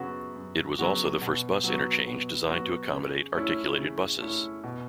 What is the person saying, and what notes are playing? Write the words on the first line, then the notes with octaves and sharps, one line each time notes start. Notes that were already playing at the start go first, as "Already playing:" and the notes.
It was also the first bus interchange designed to accommodate articulated buses.
Already playing: F#2 C#3 F#3 B3 F#4
F#2
C#3 F#3 B3 F#4
B2
F#3 B3 F#4
B2
F#3 B3 F#4
C#3
A3 C#4 E4
C#3
A3 C#4 E4
B2